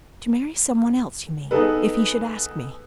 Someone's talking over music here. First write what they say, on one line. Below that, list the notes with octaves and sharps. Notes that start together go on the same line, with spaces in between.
"To marry some one else, you mean--if he should ask me?"
B3 D#4 G#4 A4 B4